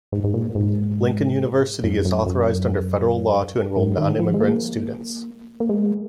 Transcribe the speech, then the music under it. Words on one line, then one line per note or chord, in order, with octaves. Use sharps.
Lincoln University is authorized under Federal law to enroll nonimmigrant students.
G#2
G#2
A#2
G#2
F#2
F#2
F#2
G#2
D#3
F3
G#3
A#3
A#3
G#3